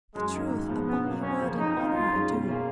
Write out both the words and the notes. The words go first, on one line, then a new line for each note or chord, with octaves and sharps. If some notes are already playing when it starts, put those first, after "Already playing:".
'The truth, upon my word and honour I do.
F#2 G#3
D#3 A#3
G#2
F3 G#3 B3
B2 B3
F#3 A#3
F2 C#4
C#3 F3 A#3
F2 D#4
D#3 A#3 F4
F#2 F4
D#3 G#3 C#4
B2
A#3 C#4 F4 G#4